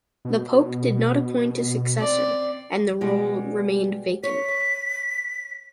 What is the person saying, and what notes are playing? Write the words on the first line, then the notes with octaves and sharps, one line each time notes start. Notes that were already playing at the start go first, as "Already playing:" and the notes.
The Pope did not appoint a successor, and the role remained vacant.
B2
C4 D5
B2 G3 G#3
C#5 B6